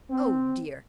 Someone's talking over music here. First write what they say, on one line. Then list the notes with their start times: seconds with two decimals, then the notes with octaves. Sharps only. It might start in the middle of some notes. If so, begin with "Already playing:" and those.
Oh dear!
0.11 C4